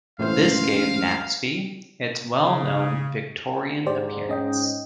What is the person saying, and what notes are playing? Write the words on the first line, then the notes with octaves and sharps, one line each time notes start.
This gave Naseby its well-known Victorian appearance.
C#2 A2 E3 C5 F5
C#3
G#2 G4 C5 D5
C#4 D#5 G5